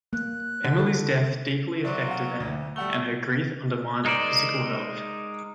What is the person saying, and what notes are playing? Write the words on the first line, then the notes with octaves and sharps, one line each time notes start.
Emily's death deeply affected Anne, and her grief undermined her physical health.
A#3 F#6
D3
A4
F#3 C5 D5 E5
F5 F#5
D2
G3 A3 F#5 G7
G#3 D#4 A#4 C5 D5